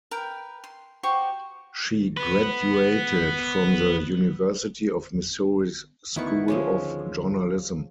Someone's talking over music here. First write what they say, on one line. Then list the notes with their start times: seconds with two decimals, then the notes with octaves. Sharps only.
She graduated from the University of Missouri's School of Journalism.
0.11 A#4 B4 G5
0.64 C6
1.03 F#4 G4 C5 C#6
2.17 B3 B4
6.16 D2 D#3 B3 E4 C#6
6.48 F3 G#3 C#4